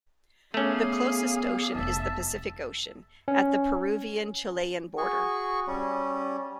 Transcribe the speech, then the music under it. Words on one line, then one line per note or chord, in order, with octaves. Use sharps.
The closest ocean is the Pacific Ocean, at the Peruvian-Chilean border.
A3 B3 C#4 G#4 F5 D6
F1 E4 E5 A5
C#4
F#4 G#4 C#6
G3 C#4